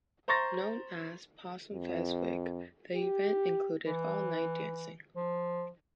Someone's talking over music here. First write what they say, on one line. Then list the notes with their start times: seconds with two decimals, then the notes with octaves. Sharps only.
Known as "Possum Fes' Wik", the event included all-night dancing.
0.28 C5 A#5 C6 C#6 A6 A#6
1.72 F2
2.94 G4
3.85 E3
5.16 F3